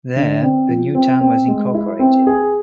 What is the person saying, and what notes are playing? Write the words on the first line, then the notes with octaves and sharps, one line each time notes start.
There, a new town was incorporated.
D3
C4
F3
C4
C4
G#3
E4
C4
G#4